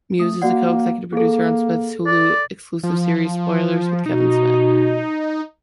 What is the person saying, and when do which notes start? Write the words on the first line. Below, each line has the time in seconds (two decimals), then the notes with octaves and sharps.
Mewes is co-Executive Producer on Smith's Hulu-exclusive series "Spoilers with Kevin Smith".
0.20 A3 D#6
0.42 A#3 F#4 D5 F#5
1.13 A#3 G#4 A4
2.07 D5
2.83 F3
4.06 B2 D#4